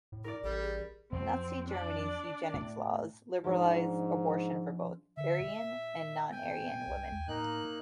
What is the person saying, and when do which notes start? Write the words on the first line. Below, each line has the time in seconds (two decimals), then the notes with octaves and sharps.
Nazi Germany's eugenics laws liberalized abortion for both Aryan and non-Aryan women.
0.12 A2
0.24 E4 A#4 D5
0.43 A1 G3 A4
0.62 G#4
1.12 F2 F3 F#3 C4
1.68 D4 D5
2.54 A2
3.44 G#2 F3 C#4 D4
5.17 D3 E5
5.41 A#2
6.32 G5 G#5
6.87 C2
7.12 D#2
7.28 A2 A#3 D#4 F#6